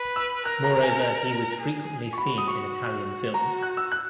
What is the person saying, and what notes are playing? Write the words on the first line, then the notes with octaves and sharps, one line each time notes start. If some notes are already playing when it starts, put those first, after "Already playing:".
Moreover he was frequently seen in Italian films.
Already playing: B4
E6
A#4 F#6
A#5
G#5
G#4
C#6
F#4 B5
D#6
C#6
F#4 A#5
F#6
E6
F#6